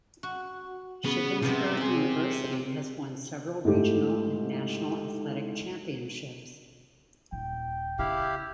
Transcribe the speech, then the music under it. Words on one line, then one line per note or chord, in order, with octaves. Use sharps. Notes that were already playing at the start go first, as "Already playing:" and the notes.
Shippensburg University has won several regional and national athletic championships.
F#4
C#3 B3
C3 F3 B3
C4 G#4
G#2 A3 E4 G4
D#1 E4 G5
C#3 C#4 E4 G4 F5